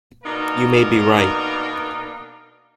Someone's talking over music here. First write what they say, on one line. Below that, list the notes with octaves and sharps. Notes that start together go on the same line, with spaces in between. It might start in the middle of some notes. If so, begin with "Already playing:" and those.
You may be right.
B2 A#3 D4 D#4 A#4